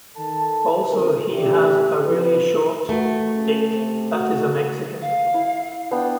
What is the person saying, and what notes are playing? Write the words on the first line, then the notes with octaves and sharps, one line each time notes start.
Also he has a really short d!ck that is a mexican.
D#3 A4 A5
G1 C#2 C3 C4 D#4 A#4
A1 D4 E4 G4
F3 C4 B4
A3 F#4
C#3
C3
F#4
F5
E4
B3 D4 G5